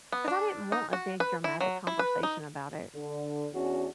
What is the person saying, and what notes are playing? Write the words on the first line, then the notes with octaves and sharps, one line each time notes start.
'Cause I didn't want a big dramatic conversation about it.
B3
D4
D#4
F#4
B4
E4
F#3
E4
B4
D#4
D3
E2 C#4 D4 F#4